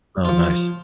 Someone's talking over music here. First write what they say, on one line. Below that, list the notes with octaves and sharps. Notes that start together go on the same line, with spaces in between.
Oh, nice.
F3 F4